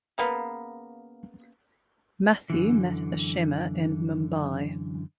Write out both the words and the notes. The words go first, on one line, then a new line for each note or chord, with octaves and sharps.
Matthew met Ashima in Mumbai.
C#3 A#3 B3
F#2 D3 E3